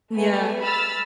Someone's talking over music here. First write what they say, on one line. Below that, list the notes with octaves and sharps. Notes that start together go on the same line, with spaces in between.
Mm, yeah.
A3 B3 G#5
B5 E6 F6 A6